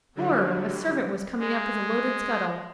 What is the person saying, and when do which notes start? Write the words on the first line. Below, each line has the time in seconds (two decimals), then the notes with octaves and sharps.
Horror! a servant was coming up with a loaded scuttle.
0.15 D3 F#3 G3
1.39 G#3